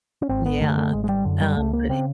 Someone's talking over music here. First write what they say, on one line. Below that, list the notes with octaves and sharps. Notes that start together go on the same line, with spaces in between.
Yeah, th um, but he
C#4
G#1 C4
B3
F#2 D3 A3
A3
G#1 G#3
G#3
G3
F#2 D3
G3
C#2 A3
A#3
C#3 C4